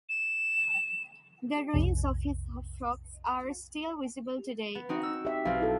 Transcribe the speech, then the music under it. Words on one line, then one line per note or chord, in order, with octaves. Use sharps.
The ruins of his shops are still visible today.
E7
B1 F2 C3
B3
C4 D#4 F#4
E6
G4 E5
B1 C4 F5
E4 A4